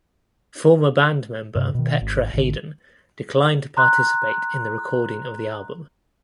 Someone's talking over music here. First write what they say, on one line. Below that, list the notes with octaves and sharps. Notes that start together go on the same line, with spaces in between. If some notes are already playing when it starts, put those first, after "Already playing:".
Former band member Petra Haden declined to participate in the recording of the album.
G2 C3
B2 D#3
G#1
G#1 D3
A#5 C6 F#6